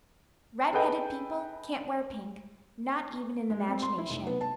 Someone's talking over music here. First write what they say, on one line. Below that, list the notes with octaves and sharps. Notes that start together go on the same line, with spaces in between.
Redheaded people can't wear pink, not even in imagination.
G#4 A4 B4 D#5 G5
G#3
C4
C6
E4
F1
B3
A5